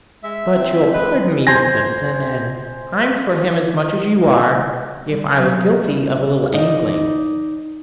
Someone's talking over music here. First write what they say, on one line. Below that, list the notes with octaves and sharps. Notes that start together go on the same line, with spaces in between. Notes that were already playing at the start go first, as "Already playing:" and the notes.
"But you'll pardon me, Miss Middleton--and I'm for him as much as you are--if I was guilty of a little angling."
G#3 E5
C4
G#3 B4 D#5
C5 G#5 A#6
G3
F#3
G3
D#4 D5